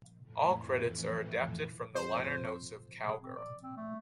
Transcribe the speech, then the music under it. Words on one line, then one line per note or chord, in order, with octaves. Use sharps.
All credits are adapted from the liner notes of "Cowgirl".
F2 A2 E3
F2 C5
G#4
C4
D5
C4
A3